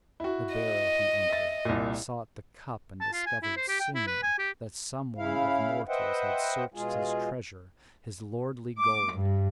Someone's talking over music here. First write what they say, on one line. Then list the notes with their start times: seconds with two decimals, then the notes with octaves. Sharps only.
The barrow he entered, sought the cup, and discovered soon that some one of mortals had searched his treasure, his lordly gold.
0.20 E4 F#4
0.55 D#5
1.30 E5 A6
1.65 C2 A#2
3.01 A5
3.13 F4
3.26 G#5
3.43 E4
3.56 C5
3.68 G4
3.80 G5
3.95 E4
4.07 B4
4.23 G#5
4.38 G4
5.18 C#3 E4 F5
5.89 B4 C5 D#5 E5 F#5 G5
6.74 B2 G#3 F4 G#4
8.77 D6
9.15 G2